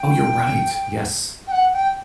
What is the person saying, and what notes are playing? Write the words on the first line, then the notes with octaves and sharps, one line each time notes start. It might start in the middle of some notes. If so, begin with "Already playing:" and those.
Oh, you're right, yes,
Already playing: G5
G5
F#5
G5